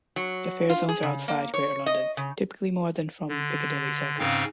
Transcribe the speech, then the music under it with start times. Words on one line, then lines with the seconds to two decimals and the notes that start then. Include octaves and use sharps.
The fare zones are outside Greater London, typically more than from Piccadilly Circus.
0.16 F#3
0.70 F4
0.89 G#4
1.03 C#3
1.28 A#3
1.54 C#5
1.86 D#5
2.17 C#3
3.28 D3
4.19 G#2 C#3 C4 C#4 F5